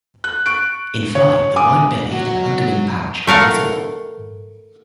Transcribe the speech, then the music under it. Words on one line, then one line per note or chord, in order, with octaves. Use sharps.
In flight the white belly and underwing patch are visible.
F#6
C#6 F#6 D7
C#5
G#5 D6 D#6
F#3 F#4
A3 A#4 F5 F#5